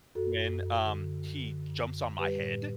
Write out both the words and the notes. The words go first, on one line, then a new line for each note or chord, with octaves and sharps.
when, um, he jumps on my head
F#2 F#4 A4
F#2
F#2
F#2
D3
D3
D3
D3
D3
F#2
F#2
F#2
G3 G4 B4
A2
A2